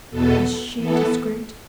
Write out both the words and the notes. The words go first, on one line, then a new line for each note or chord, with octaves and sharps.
"Is she discreet?"
E2 B2 B3 A4
E3 B3 A4